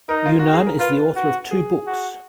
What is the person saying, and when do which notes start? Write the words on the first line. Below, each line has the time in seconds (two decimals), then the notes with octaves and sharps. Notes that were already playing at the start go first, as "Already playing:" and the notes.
Younan is the author of two books.
0.09 D#4 A#4
0.26 F4
0.39 F#4
0.53 G#4
0.67 A#4
0.79 F4 B4
1.16 F#4
1.51 G#4
1.86 F#4